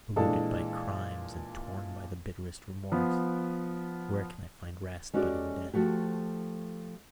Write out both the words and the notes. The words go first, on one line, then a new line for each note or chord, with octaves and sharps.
Polluted by crimes and torn by the bitterest remorse, where can I find rest but in death?
A#2 E3 G#3 D4 A4
F3 B3
G#3 C#4 F#4 G4 A4 D5
F3 A3 F#4 G4